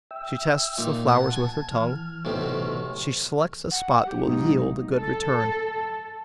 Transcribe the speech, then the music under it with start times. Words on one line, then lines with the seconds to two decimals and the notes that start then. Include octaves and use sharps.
She tests the flowers with her tongue; she selects a spot that will yield a good return.
0.11 E5 G5 E6
0.78 A#2 D#4
1.08 F#5 A5
1.36 G#5
1.71 E3 F6
2.25 B1 A2 C3
3.71 F#5
4.07 G4
4.26 B1 G#2 D#4
4.94 A4